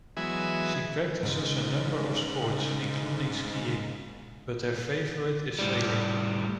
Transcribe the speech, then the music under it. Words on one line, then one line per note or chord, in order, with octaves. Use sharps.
She practices a number of sports including skiing, but her favorite is sailing.
E3 F#3 G#3 B3 E5 G#5
G#2 C#3
A2 G3